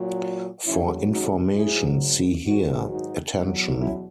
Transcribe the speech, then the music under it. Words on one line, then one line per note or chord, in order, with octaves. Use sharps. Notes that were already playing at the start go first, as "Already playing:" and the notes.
For information, see here Attention!
Already playing: A#2 F#3
D#2 C#3 F#3 C#4 E4
D#4 F#4
G#2 F#3 E4 G#4
G#2 D#3 F#3 D#4 F#4
D#4 F#4
E2 B2 F#3
C#4 E4